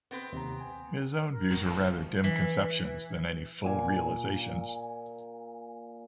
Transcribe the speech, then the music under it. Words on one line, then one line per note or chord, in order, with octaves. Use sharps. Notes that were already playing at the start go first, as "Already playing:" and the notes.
His own views were rather dim conceptions than any full realizations.
B3 C4 B4
D#2 C3 A#5
G#5
A#4
F#1 F#2 A2 D#3 A5
F3
E3
A#2 G#5